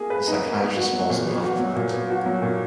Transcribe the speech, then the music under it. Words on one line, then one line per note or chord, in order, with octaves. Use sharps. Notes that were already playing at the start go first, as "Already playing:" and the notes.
The psychiatrist falls in love with her.
Already playing: A#3 G#4
B4
D#4
A#3
B3
F#4
F#3
A#2
B3
F#4
F#3
A#2
B3
F#4
F#3
A#2